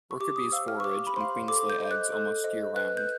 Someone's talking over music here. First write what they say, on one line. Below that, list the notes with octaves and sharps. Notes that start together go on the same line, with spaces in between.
Worker bees forage and queens lay eggs almost year-round.
C#6
G4 D6
D#6
C5 F5 E6
F6
C#6
G4 D6
B5
C5 F5 C6
A4 D6
G6
C5 D#5
F#6
A4
C5 D#5
B4 F#6
G6